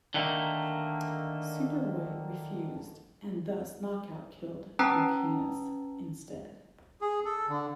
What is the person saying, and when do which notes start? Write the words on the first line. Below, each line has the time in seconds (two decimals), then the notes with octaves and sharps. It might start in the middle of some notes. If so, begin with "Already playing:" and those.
Superboy refused, and thus Knockout killed Volcanus instead.
0.14 D3 D#3 A3 A#3
4.79 C#4 B4 G5 A5 A#5 D#6
7.01 G#4
7.25 A4
7.48 D3